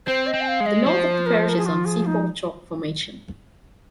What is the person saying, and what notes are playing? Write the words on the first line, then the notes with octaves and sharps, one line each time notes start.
The north of the parish is on the Seaford Chalk Formation.
C4 C5
D#5
C4
G#5
F5
G#3
D#5
F3 C5
A#4
C5
A#4
G#4
F4
G#4
D#4